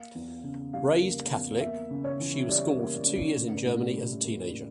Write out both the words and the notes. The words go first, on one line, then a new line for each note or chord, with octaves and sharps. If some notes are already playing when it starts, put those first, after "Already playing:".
Raised Catholic, she was schooled for two years in Germany as a teenager.
Already playing: A#3 F5
E2
C#3
G3 F5
A#3
E2
A#3 E5
C#3
C#5
E3
G3 D5
A#3
C#3
A2
A2
G3
A#3
A2